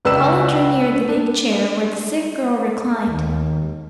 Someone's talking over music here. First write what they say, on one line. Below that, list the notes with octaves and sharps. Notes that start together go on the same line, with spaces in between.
Paula drew near the big chair where the sick girl re-clined.
C#2 B4 D5 E6 E7
D4
D#2